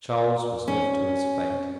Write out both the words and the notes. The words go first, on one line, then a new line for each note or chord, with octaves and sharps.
Charles was left to his fate.
C#4